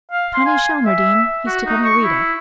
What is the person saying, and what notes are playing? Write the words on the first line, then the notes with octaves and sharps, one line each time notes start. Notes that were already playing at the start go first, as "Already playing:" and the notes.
Connie Shelmardine used to call me Rita.
F5
C6
G#5
E5
F#4
D#4
C#6
E4